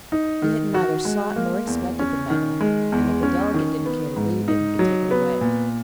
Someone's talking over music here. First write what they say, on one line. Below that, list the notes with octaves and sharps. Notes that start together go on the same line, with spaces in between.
He had neither sought nor expected the medal; and if the delegate didn't care to leave it he could take it away.
D#4
D#3
F#4
G#3
A#3
E2
C#4
D#3
G#3
E2
C#4
D#3
B3
G#2
D#4
F#3
B3
A#2